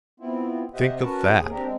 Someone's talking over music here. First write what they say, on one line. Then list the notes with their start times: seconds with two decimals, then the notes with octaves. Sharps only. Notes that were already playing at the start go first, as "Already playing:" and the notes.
Think of that!
0.20 B3 C4 E4 F4
0.74 C3 G4 C5 D#5 E5 F#5
1.01 C#4 F#4 A#4 B4 F#5 A5
1.34 D#2 G#4
1.50 C4 D4 G4 A#4
1.64 G#3 C4